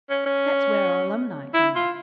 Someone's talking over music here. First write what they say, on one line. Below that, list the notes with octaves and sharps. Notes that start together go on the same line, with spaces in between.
That's where our alumni come in.
C#4
C#4
E4
F4